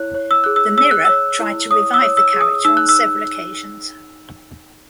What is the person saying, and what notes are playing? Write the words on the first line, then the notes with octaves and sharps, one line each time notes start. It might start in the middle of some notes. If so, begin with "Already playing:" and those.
The "Mirror" tried to revive the character on several occasions.
Already playing: E4 C#5 F#6
C#5
E6
G#4 F#6
E6
C#5 E6
F#6
C#5 E6
E4
C#5 D#6
E6
C#5
E6
G#4
D#6
D#4 E6
F#6
E6